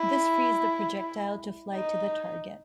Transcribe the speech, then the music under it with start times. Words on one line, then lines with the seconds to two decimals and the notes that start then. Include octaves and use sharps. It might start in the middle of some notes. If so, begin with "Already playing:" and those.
This frees the projectile to fly to the target.
Already playing: E4
1.74 D#4